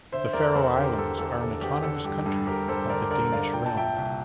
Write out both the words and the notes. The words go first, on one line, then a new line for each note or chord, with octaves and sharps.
The Faroe Islands are an autonomous country of the Danish Realm.
D3 C5 E5
E2 A#4 D5
E2 A4 C5
D3 G4 A#4
E2 A4
E2 A4
D3 A4
E2 G4
D3 A4
G2 G4
G2 A4
G2 G4 A#4
G2 A4 C5
D3 A#4 D5
D3 A#4 D5
D3 D5 F5
A#2 G5
A5
A#2 E5 G5
C2